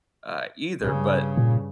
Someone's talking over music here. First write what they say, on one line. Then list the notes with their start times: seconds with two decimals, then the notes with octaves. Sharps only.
uh, either, but
0.82 G2 C#3
1.37 A#2